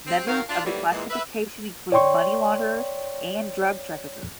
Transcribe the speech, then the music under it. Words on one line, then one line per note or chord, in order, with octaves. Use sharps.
Members of the classification include money launderers and drug traffickers.
C4
D#3 F#3 F#4 A#4 F5
D4 F4
D#3 E3 F#3 G3 A3 A#3
A#2 E3 G#3
B4 E5
C#5 D5 G5 C6 C#6